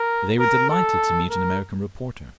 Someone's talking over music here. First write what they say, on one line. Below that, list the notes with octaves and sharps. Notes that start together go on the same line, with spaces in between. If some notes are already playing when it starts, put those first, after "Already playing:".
They were delighted to meet an American reporter.
Already playing: A#4
A#4
A4
A#4